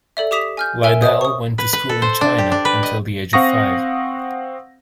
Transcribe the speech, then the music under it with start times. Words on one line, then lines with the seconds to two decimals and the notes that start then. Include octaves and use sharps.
Liddell went to school in China until the age of five.
0.17 A4 D5 E5
0.31 G4 D6 D#6 B6 E7 F7
0.57 G#5 F6 G6
0.83 A#4 E5 G#5 E6 D7
1.02 C5 C#5 E5 D#6
1.21 C#6 D#6
1.58 B4
1.73 B4
1.89 A4
2.02 C5
2.21 D4
2.38 G4
2.52 D4
2.65 B4
2.83 D#5
3.33 C4 F5 F#5 C#6 D#6 A#6